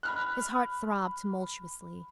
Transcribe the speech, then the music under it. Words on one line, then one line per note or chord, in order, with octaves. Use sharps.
His heart throbbed tumultuously.
B5 F6 F#6